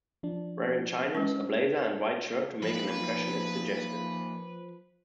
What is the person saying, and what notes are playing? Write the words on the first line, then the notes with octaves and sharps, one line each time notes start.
Wearing chinos, a blazer and white shirt to make an impression is suggested.
F3 D4
G#3 C#4
A#2 F3 D#4 B4